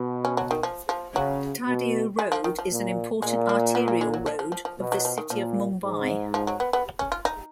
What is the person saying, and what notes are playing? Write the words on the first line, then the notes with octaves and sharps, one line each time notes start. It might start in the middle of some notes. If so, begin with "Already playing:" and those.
Tardeo Road is an important arterial road of the city of Mumbai.
Already playing: B2
C#4
F#3
D#3
F3
F3
C#3 F#3
B2
G#3
F3
D#3
F3
A#2
A#2 G#3
A#3
B3
A#3
G#3
F#3
F3
F3
F3
F3
B2
F#3
F3
D#3
A#2 F3
G#2
F3
F#3
B3
B3
C#4
F4
D#4